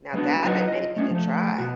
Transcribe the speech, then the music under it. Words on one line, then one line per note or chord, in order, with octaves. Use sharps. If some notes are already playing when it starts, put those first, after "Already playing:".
Now that I may need to try.
G#3 A3 B3 D4 F#4
F#3 D#4 F4 F#4 B4 D#5
F4 D#5
A3 C#4 D4
F3 A3
B2 F#4